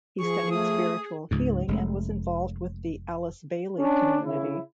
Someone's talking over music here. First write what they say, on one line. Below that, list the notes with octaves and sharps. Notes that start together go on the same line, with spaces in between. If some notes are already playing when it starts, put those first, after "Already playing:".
He studied spiritual healing, and was involved with the Alice Bailey community.
F3 G#4 C#6
A3 D#6
C#2 G#2
F1 G#3 A3
C#4 D4
C#3 E4